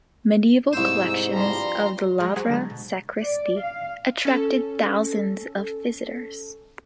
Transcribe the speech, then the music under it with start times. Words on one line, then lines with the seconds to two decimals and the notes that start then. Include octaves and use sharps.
Medieval collections of the Lavra sacristy attracted thousands of visitors.
0.73 C2 G#2 C5 E6
1.33 G2 F3 G3 A#5 C6
2.18 F3 F#3 G#3
2.36 F#3 G#4 C5 F#5
2.50 D3 G#3
2.70 B2
3.24 D5
3.62 F5
4.25 C#4 A4